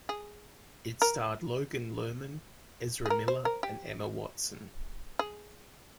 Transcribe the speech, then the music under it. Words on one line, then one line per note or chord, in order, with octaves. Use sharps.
It starred Logan Lerman, Ezra Miller, and Emma Watson.
G#4
A#4
G#4
A#4
C5
A#4
G4
G#4